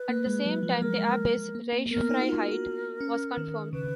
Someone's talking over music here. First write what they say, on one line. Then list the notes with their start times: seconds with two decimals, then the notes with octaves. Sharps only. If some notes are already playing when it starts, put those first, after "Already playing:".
At the same time the abbey's "reichsfreiheit" was confirmed.
Already playing: B4
0.09 A#3
0.27 G#3
0.45 F#3
0.63 F3
0.82 G#3 A#4
1.55 A#3
1.73 A#3
1.91 B3 A#4
2.09 D#4
2.22 F#4
2.27 F4 A#4
2.51 F#4
3.01 C#4
3.37 D#3
3.73 C#3 B4